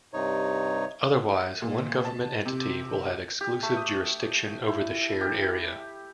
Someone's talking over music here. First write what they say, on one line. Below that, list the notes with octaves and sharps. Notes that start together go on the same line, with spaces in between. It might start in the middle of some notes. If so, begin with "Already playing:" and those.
Otherwise, one government entity will have exclusive jurisdiction over the shared area.
G2 C3 D#4 C#5
A#2
A5
C3
G4
A3
D#6
E4
G4